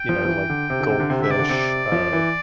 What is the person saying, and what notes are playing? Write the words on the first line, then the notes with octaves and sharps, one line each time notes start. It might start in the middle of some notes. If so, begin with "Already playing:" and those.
you know, like, goldfish, uh,
Already playing: G5
F3
F3
E3
D3
C3
D3
C3
D3
C3
D3 E5
C3 D5
D3
C3
F3
E3